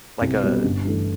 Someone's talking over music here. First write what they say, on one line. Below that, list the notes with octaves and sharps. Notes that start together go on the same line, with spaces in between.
like, a
C2
B2 G3 B3
G1
G2 E3 A3